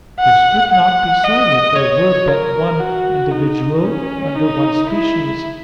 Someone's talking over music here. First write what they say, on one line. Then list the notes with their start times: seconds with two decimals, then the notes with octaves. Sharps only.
But this would not be so if there were but one individual under one species.
0.20 F#5
0.72 F#5
1.24 D#5
1.75 C#5
2.27 A#4
2.79 F#4
3.31 D#4
3.83 C#4
4.35 D#4
4.87 E4